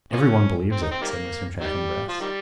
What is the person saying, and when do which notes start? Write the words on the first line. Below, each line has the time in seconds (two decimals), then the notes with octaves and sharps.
"Every one believes it," said Mr. Chaffanbrass.
0.12 F3 A#3 C#4
0.72 C4
0.82 D#4
0.91 C4
1.01 D#3 G3 A#3
1.61 D#3 G3
2.09 F3
2.20 D#3 G3